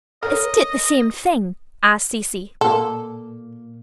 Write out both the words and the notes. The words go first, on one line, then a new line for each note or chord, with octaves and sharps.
"Isn't it the same thing?" asked Cecy.
A4 A#4 C#5 D#5
A#2 A#3 A4